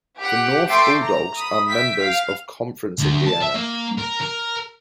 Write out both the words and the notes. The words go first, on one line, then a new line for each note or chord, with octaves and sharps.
The North Bull Dogs are members of Conference Indiana.
G4 F#5
A3 G5 C6 D6 A6 C7
A#5
B5 D#6
E5 G5 B6
F5
D2
A5
E5
A#3
A#4
A#4